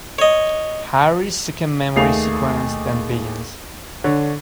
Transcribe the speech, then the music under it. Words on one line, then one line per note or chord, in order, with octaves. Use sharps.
Harry's second memory sequence then begins.
C#5 D#5
D#2 A3 G#4 F5 C7 F7
D3 C#5